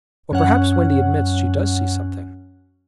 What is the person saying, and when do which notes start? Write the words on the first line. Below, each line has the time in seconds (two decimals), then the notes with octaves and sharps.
Or perhaps Wendy admits she does see something.
0.31 F#2 C#4 F#5